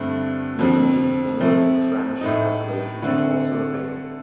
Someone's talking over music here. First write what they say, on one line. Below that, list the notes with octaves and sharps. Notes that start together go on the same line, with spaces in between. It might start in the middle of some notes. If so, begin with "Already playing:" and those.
Vietnamese, English, and French translations are also available.
Already playing: G2 D3 A3 C4
F2 D3 F3 C4
C3 F3 A3 C4
A2 A3 D#4
D3 A3 C4